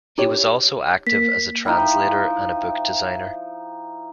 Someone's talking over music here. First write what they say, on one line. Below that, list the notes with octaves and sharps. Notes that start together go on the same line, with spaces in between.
He was also active as a translator and a book designer.
D#4 G4 C#5
A#3 B6
F3 D#4 E4 G5